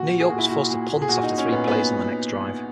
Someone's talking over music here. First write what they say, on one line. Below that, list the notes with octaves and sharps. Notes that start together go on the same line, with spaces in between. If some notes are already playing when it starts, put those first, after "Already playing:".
New York was forced to punt after three plays on their next drive.
Already playing: A#2 F#4
A#2
G#4
A#2 F#4
E4
A#2 F#4
A#2
A#2
G#4
A#2 F#4
A#2 D#4
C#4
A#2 B3
A#2 B3